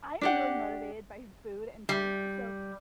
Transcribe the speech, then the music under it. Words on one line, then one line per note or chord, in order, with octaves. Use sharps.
I'm really motivated by food and treats. So
D4 G4 F#5
G3